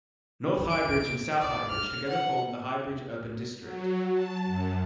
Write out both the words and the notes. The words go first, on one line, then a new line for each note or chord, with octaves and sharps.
North Highbridge and South Highbridge together formed the Highbrige Urban District.
D7
D5
F6
F#5
F#3
A5
F#2